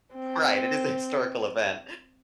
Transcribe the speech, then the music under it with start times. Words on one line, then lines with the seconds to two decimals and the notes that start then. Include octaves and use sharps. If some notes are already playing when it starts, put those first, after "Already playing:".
Right, it is a historical event.
0.14 C4